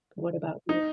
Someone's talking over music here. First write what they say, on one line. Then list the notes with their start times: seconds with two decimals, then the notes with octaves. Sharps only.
what about you?
0.69 D#4